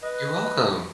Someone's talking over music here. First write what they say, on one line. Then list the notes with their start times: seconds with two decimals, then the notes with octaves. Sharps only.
You're welcome.
0.03 B4 D#5